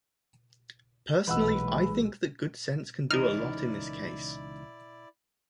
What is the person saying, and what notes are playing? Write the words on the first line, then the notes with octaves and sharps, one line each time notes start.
Personally I think that good sense can do a lot in this case.
B1 A#2 E3 G#3 B4 D#5 F#5 E6
C#2 E3 D#4 E4 A#4 D5 F6